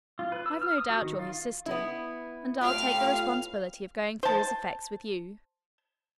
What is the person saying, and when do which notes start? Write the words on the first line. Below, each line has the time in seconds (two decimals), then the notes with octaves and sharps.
I've no doubt you're his sister, and I'll take the responsibility of going through his effects with you.
0.19 F4
0.32 B4
0.46 E6
0.62 F6
0.78 D#6
0.90 F#4
1.02 D#3
1.19 F4
1.66 B3 E4
2.61 A2 F4 G4 D5 F5
4.23 C5 A5